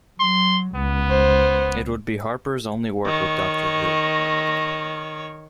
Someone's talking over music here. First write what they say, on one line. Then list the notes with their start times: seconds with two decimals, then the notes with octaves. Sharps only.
It would be Harper's only work with "Doctor Who".
0.20 F#3 C6
0.76 C#2 B3
1.10 C5
3.05 D#3 C#5